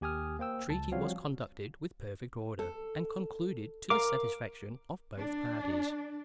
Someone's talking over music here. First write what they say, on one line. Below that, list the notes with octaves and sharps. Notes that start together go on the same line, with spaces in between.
The treaty was conducted with perfect order, and concluded to the satisfaction of both parties.
D#2 G4 G#5 D#6 F6
A#3 C5 G5 E6
C#2 A5
F3 G3 C4 F#4 C#5 F5
A4
A#4 F5 D6
D4